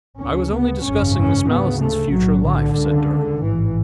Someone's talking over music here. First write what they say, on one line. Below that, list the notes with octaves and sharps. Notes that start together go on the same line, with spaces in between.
"I was only discussing Miss Malleson's future life," said Durham.
D2 C#3 C#4
B3
G#1 F#2 C#3 C#4
C#4
D2 C#3 B3
A3
B1 A2 F#3
D3
C#2 C#3
A1 G#2 E3